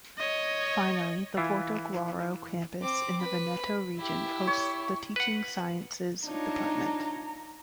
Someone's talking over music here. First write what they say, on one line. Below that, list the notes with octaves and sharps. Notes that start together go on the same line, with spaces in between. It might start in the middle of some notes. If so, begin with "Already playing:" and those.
Finally, the Portogruaro campus in the Veneto region hosts the Teaching Sciences Department.
C#5 D#5
E3 E4 F4
C4 D6
B4 B5
E4 G4
C#5
B4 F#5
D4 D#4 F4 C#5 A#5